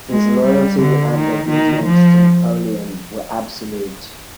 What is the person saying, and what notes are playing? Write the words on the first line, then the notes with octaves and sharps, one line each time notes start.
His loyalty and obedience to Napoleon were absolute.
G#3
G3
D3
D#3
D#3
F3